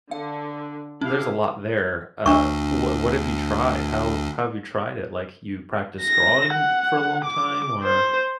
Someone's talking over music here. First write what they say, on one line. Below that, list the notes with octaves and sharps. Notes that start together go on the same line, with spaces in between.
there's a lot there, uh, wha what have you tried? How how have you tried it? Like, you practiced drawing for a long time? Or
D3 F5
C#4 E4 G4 F5
D2 D4 C#6
A#6
F#5
D6
C5